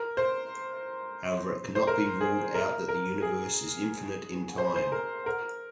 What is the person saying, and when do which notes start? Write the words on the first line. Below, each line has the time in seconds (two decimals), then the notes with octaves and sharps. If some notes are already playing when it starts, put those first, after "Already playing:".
However it can not be ruled out that the Universe is infinite in time.
Already playing: A#4
0.17 C5
1.75 C5
1.87 A#4
2.21 G#4
2.55 A#4
2.88 A#4
3.22 G#4
4.58 C5
4.76 C5
4.92 A#4
5.26 A#4